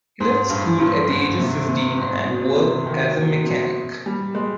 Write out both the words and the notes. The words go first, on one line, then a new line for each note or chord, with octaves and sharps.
He left school at the age of fifteen and worked as a mechanic.
G#2
G2
G2
G#2
C3
C3
G#2
B2
C3
D#3
D#3
B2
G3
G#3